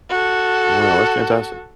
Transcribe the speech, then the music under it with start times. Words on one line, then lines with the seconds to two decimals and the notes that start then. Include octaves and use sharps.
Wow, that's fantastic.
0.10 F#4 A4